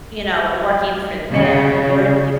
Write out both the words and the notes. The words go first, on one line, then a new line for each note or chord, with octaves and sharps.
you know, working for them. You're you're
C#3